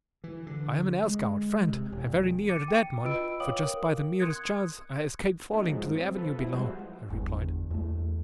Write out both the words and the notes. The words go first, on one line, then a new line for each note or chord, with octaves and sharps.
"I am an air scout, friend, and very near a dead one, for just by the merest chance I escaped falling to the avenue below," I replied.
E3
D3
G#3
C3
E1
D6 A6 C#7 D#7
G5
F4 B4 D#5 B5 E6 D7
C#5 F5 G5 D6 D#6 F#7
A#4
C6 D#6 F#6 G#6 C#7
A3 A#3 C#4 D#4 F#4
G2 E3 F3 G#3
C4
F3 A4 B4
B3 E4
F3 G3 G#3 B3 F#4 C5
G1 E2 G2
E2 A3